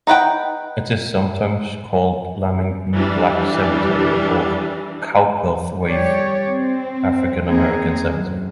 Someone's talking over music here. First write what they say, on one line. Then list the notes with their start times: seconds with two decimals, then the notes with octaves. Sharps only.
It is sometimes called Lamington Black Cemetery or Cowperthwaite African American Cemetery.
0.07 D#4 B4 F#5 G5
2.94 E3 G3 D4
5.87 G3 G4 C#5 D5
6.48 C4
7.45 A#3 C4 D#4 G#4
8.11 F#2